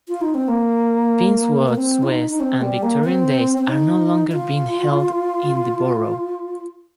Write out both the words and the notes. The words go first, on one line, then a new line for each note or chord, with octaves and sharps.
Penns Woods West and Victorian Days are no longer being held in the Borough.
F4
D#4
C4
A#3
A#3
C4
F4
D#4
D#4
C4
G3
A#3
C4
C4
D#4
F4